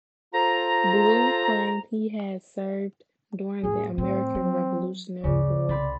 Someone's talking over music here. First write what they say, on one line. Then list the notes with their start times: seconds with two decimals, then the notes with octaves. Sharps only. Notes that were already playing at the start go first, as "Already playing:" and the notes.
Blue claimed he had served during the American Revolutionary War.
0.34 F4 A4 C5 A#5
3.63 E2 A2 G#4
3.98 A2 F3 C4
4.35 F#3
5.24 D2 G2 C#3 D5
5.69 C2 C4 B5 A6